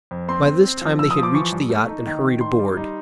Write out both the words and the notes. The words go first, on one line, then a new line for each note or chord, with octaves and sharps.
By this time they had reached the yacht and hurried aboard.
F2
C4 C6
C4
C4
F3
F3 E6
D#6
F3
D6
E3 C#6
G2
A3
D#4
D#3
D#3
D#4 C6
G3
D#4